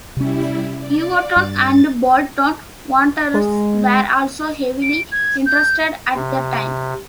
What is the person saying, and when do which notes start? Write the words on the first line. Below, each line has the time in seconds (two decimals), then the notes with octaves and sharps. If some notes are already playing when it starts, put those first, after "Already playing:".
Everton and Bolton Wanderers were also heavily interested at the time.
0.17 C3 G3 C#4 E4
0.78 D5
1.36 G2 A6
3.34 G#3
4.82 D7
5.12 G#6
5.46 G6
6.16 C3